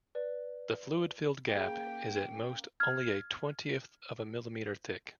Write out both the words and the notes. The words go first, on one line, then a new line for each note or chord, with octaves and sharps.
The fluid-filled gap is at most only a twentieth of a millimetre thick.
B4 D5
C#3 A#3 G5
F6 G#6